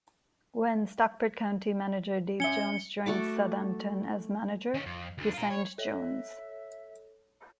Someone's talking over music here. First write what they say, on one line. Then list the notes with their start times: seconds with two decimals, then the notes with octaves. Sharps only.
When Stockport County manager Dave Jones joined Southampton as manager, he signed Jones.
2.40 C#4 E5 C#7 G7
3.06 A3 F#4 A4 D6
4.74 D#3 C#4
4.86 F2
5.18 D2 D3
5.34 F4 A#4
5.50 C#5
5.78 A4 C#5 E5